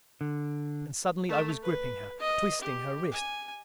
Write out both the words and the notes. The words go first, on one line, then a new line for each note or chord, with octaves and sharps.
And suddenly I was gripping her, twisting her wrist.
D3
A3
B4
D#5
G4
G#5